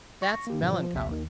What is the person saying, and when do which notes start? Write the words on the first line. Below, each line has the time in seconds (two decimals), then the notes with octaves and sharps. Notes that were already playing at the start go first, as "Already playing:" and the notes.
That's melancholy.
0.22 C#6 A#6
0.47 A#3 G4
0.60 G#2 B2 D3 E3 F3
0.73 F3
0.93 A#1 D#2 C3 E5
1.08 D#2 D#3